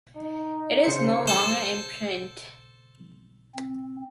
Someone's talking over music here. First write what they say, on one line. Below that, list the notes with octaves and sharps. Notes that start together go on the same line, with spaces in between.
It is no longer in print.
D#4
C#3 C5 C#7
A4 C5
C4